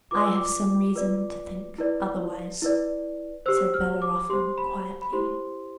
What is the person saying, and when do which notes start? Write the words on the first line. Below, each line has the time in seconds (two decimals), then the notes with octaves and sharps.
"I have some reason to think otherwise," said Bellerophon, quietly.
0.11 F4 B4 D5 D6
0.24 E6
0.36 D6
0.95 F4 B4 D5
1.78 E4 B4 D5
2.62 E4 B4 D5
3.46 G4 C5 E6
3.74 F6
4.02 D6
4.29 G4 C5 C6
4.58 B5
5.02 B5
5.13 E4 G4 C5 C6